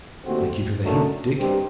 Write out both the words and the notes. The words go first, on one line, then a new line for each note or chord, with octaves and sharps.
Thank you for the hint, Dick.'
D#2 D3 A3 C4 F#4
F#2 D#3 F#3 A3 D4
G2 D#3 G3 C4 G4